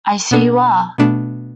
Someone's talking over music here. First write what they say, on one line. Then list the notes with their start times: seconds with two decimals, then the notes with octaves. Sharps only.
I see you are.
0.31 B2 B3 D4 A4
0.98 B2 A3 D4